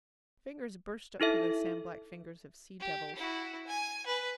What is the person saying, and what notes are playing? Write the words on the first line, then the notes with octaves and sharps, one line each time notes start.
Fingers burst up through the sand-black fingers of sea devils.
D#4 E4 A4 E5
G4
E4 F#4
G#5
B4